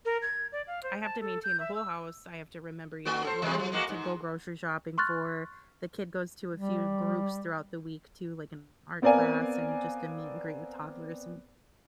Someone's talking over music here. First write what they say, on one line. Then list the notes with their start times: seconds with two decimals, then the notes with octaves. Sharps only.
I have to maintain the whole house, I have to remember, you know, what we need to go grocery shopping for, the kid goes to a few groups throughout the week to, like, an art class, and just a meet and greet with toddlers, and
0.05 A#4
0.22 G#6
0.52 D5
0.67 F5
0.83 C5
1.02 A5
1.21 A4
1.44 G6
1.60 E5
1.75 E6
3.05 A3 F#4
3.24 A4 C5
3.42 E2 C3 G#3
3.60 F3
3.72 G#3 A#3 F#4
3.89 G#2
4.98 C6 C#6 F6 F#6 A6
6.55 G3
9.02 B3 C4 A#4 D5 F5 G#5